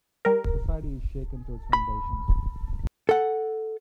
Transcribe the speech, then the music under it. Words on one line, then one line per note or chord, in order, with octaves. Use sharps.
Society is shaken to its foundations.
G3 A#4
B5
A4 F#5